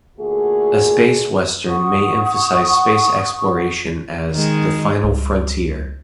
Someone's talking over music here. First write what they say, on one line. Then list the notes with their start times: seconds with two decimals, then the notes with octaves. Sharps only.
A space Western may emphasize space exploration as "the final frontier".
0.19 A#2 D3 A3 F#4 G#4
1.67 F#5 C#6 D#6
4.31 D#3 G#3
5.03 C#2 G3